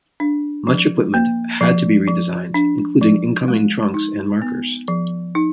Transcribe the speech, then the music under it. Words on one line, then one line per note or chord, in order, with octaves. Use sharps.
Much equipment had to be redesigned, including incoming trunks and markers.
D4
F3
A#3
F3
F3
D4
F3
G#3
D#4
B3
F3
D#4